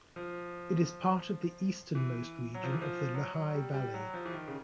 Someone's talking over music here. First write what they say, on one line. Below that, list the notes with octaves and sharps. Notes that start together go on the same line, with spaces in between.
It is part of the easternmost region of the Lehigh Valley.
F3
E3
F#3
F3
E3
F3
F#3
F#3
G3
G3
F#3
F3
E3
D#3
C#3